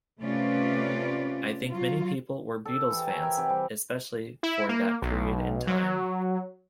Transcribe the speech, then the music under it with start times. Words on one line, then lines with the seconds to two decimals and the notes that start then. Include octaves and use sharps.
I think many people were Beatles fans, especially for that period in time.
0.20 C3 A3 C#4 F4 B4 D5
1.72 F#3 F4
2.65 A4 D5
2.91 E3 G4
3.07 C#5 G5 G#5 A#5
3.22 A#4 B4 E5 G#5
3.37 C3 G4 D5 F#5
3.50 G3
4.43 E4
4.69 A#3
5.02 B1
5.67 F#3